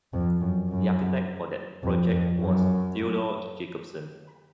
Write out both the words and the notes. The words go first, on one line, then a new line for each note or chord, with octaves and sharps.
The architect for that project was Theodore Jacobsen.
F2
F#2
F#2
F2
F2
F#2